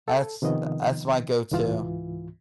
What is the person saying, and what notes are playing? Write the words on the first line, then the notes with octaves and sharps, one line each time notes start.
that's that's my go-to.
A4
C3 D#3 F3 B3 D#5
C#2 G#2 E3 F4